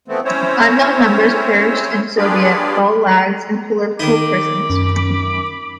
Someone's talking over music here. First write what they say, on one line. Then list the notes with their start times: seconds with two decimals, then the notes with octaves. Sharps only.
Unknown numbers perished in Soviet "gulags" and political prisons.
0.08 E3 F3 A3 B3 C4
0.25 C4 C#4 E4 C5 C#5
2.17 D4 F4 G4 G#4 B4 D5
3.99 D#3 D#4 B5 D6
4.69 F#2